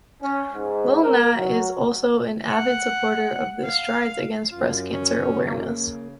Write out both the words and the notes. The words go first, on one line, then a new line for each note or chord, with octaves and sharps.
Lil Nat is also an avid supporter of the Strides against Breast Cancer Awareness.
C#4
G#2
A#4
F#3
F#5
F5
F#2 F4
C#4
C#3 A#3